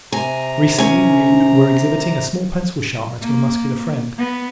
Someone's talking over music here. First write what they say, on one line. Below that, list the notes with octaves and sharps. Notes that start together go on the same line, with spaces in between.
Recently we were exhibiting a small pencil sharpener to a muscular friend.
C3 G#5 A#5
C#4 G#5
A#3
B3